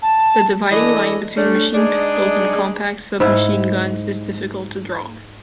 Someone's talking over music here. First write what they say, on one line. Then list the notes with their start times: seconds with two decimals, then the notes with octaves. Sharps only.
The dividing line between machine pistols and compact submachine guns is difficult to draw.
0.02 A5
0.71 E3 D4 A4 D#5
1.36 A3 C#4 D4
1.75 G#3 D4 D#4 G#4
3.20 G#2 E4